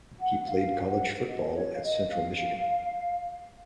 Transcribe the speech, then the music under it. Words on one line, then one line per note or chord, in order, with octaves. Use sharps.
He played college football at Central Michigan.
F#5
F5
F#5
D#5
B4
C#5
F5
D#5
F5